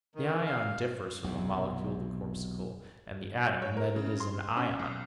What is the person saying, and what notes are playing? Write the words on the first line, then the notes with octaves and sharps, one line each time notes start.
The ion differs from the molecule, the corpuscle and the atom in that it is an ion.
D#3
F5
B1 E2 C3
C#5
A#4
C#3
C6
C#4
B1